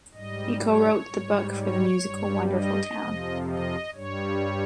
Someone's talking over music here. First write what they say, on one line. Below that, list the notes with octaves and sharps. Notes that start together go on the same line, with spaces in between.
He co-wrote the book for the musical "Wonderful Town".
G#2 G3 D#5
C#5
G#2 G3
C#5
G2 G3
D#5
F2 C3 F3
D#5
G2 G3 C#5